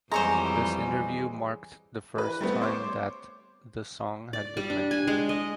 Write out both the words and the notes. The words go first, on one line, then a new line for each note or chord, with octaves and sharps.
This interview marked the first time that the song had been mentioned.
F2 E3 G3 G#3 C5 C#5 A#5 E6
E3 B4
G3 A3 B3 C4
C5 C#5 D6
D5
G3
D4
G#5
G#3
D#5